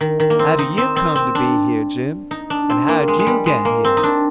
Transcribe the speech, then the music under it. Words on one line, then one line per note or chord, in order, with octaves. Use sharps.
"How do you come to be here, Jim, and how'd you get here?"
D#3
D#3
A#3
C4
D#4
C4
C4
C4
D4
D#4
D4
C4
A#3
G#3
G#3
G3
G#3
A#3
C4
D#4
D4